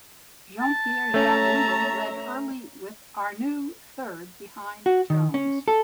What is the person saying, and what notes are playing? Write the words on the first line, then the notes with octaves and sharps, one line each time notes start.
Jean-Pierre Jabouille led early with Arnoux third behind Jones.
A5
A3 C#4 C#5 E5 A#5
F#4
D#3
C#4
A4